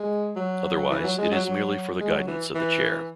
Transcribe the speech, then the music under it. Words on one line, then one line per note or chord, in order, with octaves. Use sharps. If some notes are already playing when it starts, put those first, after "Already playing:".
Otherwise, it is merely for the guidance of the chair.
Already playing: G#3
F#3
E3
F#3
G#3
F#3
F#3
G#3
F#3
E3
E3